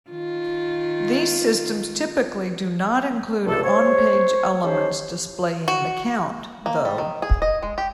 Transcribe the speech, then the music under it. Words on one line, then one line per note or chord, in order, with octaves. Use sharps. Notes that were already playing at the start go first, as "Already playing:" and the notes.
These systems typically do not include on-page elements displaying the count, though.
D#3 F4
C#2 G2 C3 A4
C5 C#5
C#4 D#4 G4 A4 C5
F#4
A#3
G3
D#3
G#4
D#5
G#3
G4